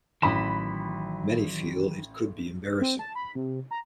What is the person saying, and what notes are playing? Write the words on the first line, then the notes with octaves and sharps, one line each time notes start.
Many feel it could be embarrassing.
A1 D#3 E3 F#3 B5 E7
C4
A5
B5
C3
A#5